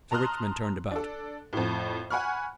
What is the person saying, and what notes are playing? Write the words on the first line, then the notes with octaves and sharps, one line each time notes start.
Sir Richmond turned about.
A5 A#5 C6 D#6 F6 F#6
D4 A4
F2 A2
F#5 G#5 B5 C#6 F6